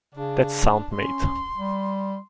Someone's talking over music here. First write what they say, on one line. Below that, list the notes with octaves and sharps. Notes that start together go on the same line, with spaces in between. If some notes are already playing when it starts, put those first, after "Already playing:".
That's sound mate.
C#3 D4
C#4 C6
G3